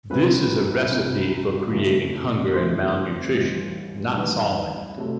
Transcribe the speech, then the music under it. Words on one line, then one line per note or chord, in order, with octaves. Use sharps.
This is a recipe for creating hunger and malnutrition, not solving it.
C2 C3 F#3 C4 B4
C2 C3 F#3 C4
F#1 F#2 D#3 A3 E4
F#1 F#2 D#3 A3 E4 C5
A1 G2 D#3 G3 D#4
A1 G2 D#3 G3 D#4 B4
C3 F#3 A3